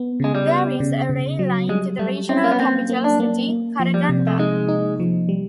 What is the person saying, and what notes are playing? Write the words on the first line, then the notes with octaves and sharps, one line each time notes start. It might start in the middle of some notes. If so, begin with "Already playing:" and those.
There is a rail line to the regional capital city Karaganda.
Already playing: B3
C#3 G#3
G3
B3
C#3
C#3
F#3
G3 G#3
G3 A3
C4 C#4
A#3
B3
A#3 C4
A#3
D4
A#3
A#3
F3
G3
C3
A3
G#3 D#4
D#4
F3
G3